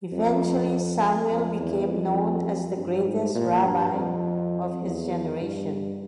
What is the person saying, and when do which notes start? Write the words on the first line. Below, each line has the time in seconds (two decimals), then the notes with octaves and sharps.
Eventually Samuel became known as the greatest rabbi of his generation.
0.12 F2
1.30 F2
1.59 E2
1.89 F2
2.47 F2
2.77 G2
3.06 G#2
3.35 A#2
3.64 G2
3.94 F2
4.82 E2
5.41 G2